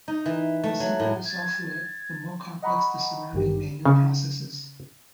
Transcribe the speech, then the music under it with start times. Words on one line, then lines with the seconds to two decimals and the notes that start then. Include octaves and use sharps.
The simpler the software, the more complex the surrounding manual processes.
0.08 D#4
0.26 E3
0.63 A3
0.80 F#3
1.00 A2
1.25 G#6 A6
2.62 D#5 F#5 A#5 B5 C#6
3.32 G#1 G2 D#3 G4
3.85 C#3